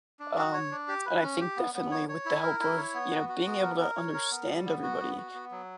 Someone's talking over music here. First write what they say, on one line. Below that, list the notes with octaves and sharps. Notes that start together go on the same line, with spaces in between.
um, and I think, definitely, with the help of, you know, being able to understand everybody,
D4
F#4
C#5
D4
G4
B4
C#4
G4
B3
B3
C#5
C#5
E4
A#4
E4
C#5
B3
F#4
F#4
B3
A#4
A#4
C#5
A#4
B3
G3
B3
F#4
B3
F#4
B3
F#3